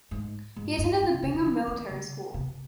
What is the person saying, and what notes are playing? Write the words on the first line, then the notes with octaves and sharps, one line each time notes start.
He attended the Bingham Military School.
G#2
G#2
G2
G2
C3
C#3
D#3
F3
D#3
C#3
C3